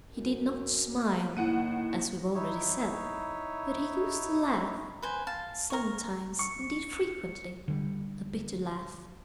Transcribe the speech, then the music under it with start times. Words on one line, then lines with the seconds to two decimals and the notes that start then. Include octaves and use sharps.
He did not smile, as we have already said, but he used to laugh; sometimes, indeed frequently, a bitter laugh.
0.10 F#2
1.37 A2 D#3 A#3 F#5 D#7
2.34 D#4 E4 C#5
5.02 B4 C5 G#5
5.27 F5 A5
5.70 A#4 C#5
6.39 C#6 C#7
7.68 D3 G3